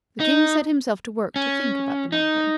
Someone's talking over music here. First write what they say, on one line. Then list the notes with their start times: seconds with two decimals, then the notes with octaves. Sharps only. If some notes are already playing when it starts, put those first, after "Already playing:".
The King set himself to work to think about the matter.
0.20 D#4
1.36 C#4
2.12 D#4